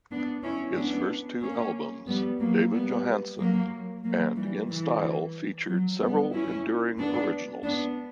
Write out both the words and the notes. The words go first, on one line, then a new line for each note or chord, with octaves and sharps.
His first two albums, "David Johansen" and "In Style", featured several enduring originals.
B3 D4
C#4 E4
B3 D4
A#3 C#4
G3 B3
F#3 A#3
G3 B3
F#3 A#3
F#3 A#3
E3 G3
E3
F#3
G3 B3
C#4 E4
B3 D4
B3 D4